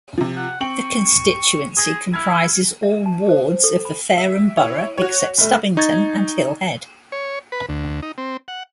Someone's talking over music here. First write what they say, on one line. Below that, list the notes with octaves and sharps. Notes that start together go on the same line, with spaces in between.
The constituency comprises all wards of the Fareham borough except Stubbington and Hill Head.
C3 F3
F#5
C4 G5 C#6 F#7
G#4 D#6 A#6
E4 F6 G#6
E5
A5
C5
A4
B5
E5
E4 C#5
F#4 C#5
G1 A3
D#4 C#6 G#6 A6
C#5
B4
D2
D#4
C4
F#5